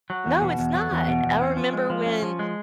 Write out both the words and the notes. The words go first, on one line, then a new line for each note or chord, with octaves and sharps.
No, it's not. I remember when,
F#3
E2
B2
E2
F#3
E2
B2
E2
C#4
F3
G#3
F3
C#4
F3
G#3